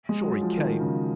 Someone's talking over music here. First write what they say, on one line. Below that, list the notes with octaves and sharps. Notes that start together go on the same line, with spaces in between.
Shorey came.
G#3
F#3
F3
D#3
C#3